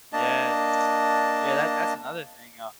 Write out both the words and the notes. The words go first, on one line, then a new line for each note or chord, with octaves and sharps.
Yes, yeah, that that's another thing, uh,
A#3 D4 D#5 A5